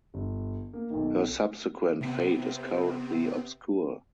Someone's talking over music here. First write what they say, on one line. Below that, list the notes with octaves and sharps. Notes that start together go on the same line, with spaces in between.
Her subsequent fate is currently obscure.
G1
A#3
B1 D#3
C3 B3 C4